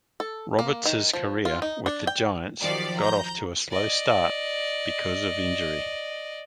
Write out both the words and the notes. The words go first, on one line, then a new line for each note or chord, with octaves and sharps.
Roberts's career with the Giants got off to a slow start because of injury.
A4
A#3
D#3
F3
F4
D#4
D4
G5
D#3 F3 F#3 G4 D5
A#5 G6
D5 D#5